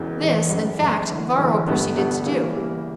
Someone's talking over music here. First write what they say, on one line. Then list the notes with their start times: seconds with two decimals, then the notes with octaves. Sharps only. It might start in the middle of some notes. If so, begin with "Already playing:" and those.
This in fact Varro proceeded to do.
Already playing: E1 E2 C#3
0.20 E1 E2 C#3
0.49 F#1 F#2 C#3
0.79 F#1 F#2 C#3
1.08 F#1 E2 D3
1.37 F#1 E2 D3
1.67 G1 G2 D3 G3 B3
1.96 G1 G2 D3 G3 B3
2.25 C#3 E3 G3 A#3
2.54 C#3 E3 G3 A#3